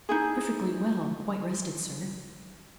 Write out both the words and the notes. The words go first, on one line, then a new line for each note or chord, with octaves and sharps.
"Perfectly well; quite rested, sir."
D#4 E4 G#4